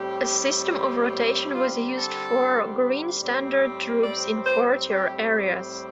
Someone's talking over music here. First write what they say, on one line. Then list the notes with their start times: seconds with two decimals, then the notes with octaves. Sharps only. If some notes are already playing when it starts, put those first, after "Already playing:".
A system of rotation was used for Green Standard troops in frontier areas.
Already playing: A2 G3 C4 G4
1.52 D3 G3 C4 F4
1.95 A4
3.20 A2 G3 C4
4.04 D5
4.45 C5
4.86 A2 G3 C4 G4